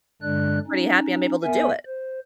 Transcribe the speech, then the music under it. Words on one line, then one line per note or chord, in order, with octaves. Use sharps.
I'm pretty happy I'm able to do it.
G2 D3 G#3 D4 D5 F#6
C#4 D#4
B3 A#4 E5 G#5
C5